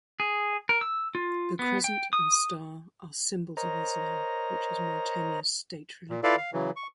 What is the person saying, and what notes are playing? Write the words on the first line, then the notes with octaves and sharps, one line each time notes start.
The crescent and star are symbols of Islam, which is Mauritania's state religion.
G#4
A#4
E6
F4
B3
G5
D#6
A#4 C5 C#5 D#5 A#5
A#2
E4 F4 A4 B4 D5 F5
F5
C#3 E3 F#3
C#6